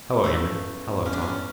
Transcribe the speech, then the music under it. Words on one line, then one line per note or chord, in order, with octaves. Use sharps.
"Hello, Amory--hello, Tom."
E2 C#3 E3 A3 B3
E2 C#3 E3 B3 C#4
D4
C#4